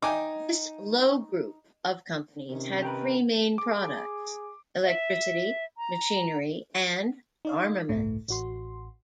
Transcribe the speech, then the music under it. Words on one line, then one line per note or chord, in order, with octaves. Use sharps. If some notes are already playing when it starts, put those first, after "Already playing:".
This 'Loewe Group' of companies had three main products: electricity, machinery, and armaments.
D#4 G5 G#5 D6
C3 D#3 C#4
G4 A#4 B4
G#4 D6
E5
A#5
D#4 D5 F5
G1 C#2 A2 A3
A1 F#4 C6